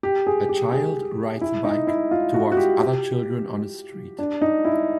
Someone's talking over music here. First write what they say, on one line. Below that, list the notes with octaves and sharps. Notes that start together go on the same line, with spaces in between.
A child rides a bike towards other children on a street.
G4
G#4
G4
G#4
E4
D#4
E4
F4
F#4
F#4
G4
G4
D4
D#4
E4